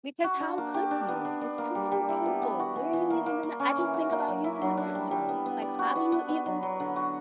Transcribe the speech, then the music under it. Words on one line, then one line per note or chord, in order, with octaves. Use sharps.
Because how could you? It's too many people. Where are you even gonna I just think about using the restroom, like, how do you even S
F#4
D4
A#3
G4
D4
B3
D4
D4
A#3
G3
G3
E4
B3
B3
F#4
E3
E3
A#3
A#3
A#3
C#4
E3
F#4
A#3
F#3
E4
F#3
D4
G3
G3
B3
B3
D5
F#4
B3
B3
B3
F#3
F#3
D3
F#4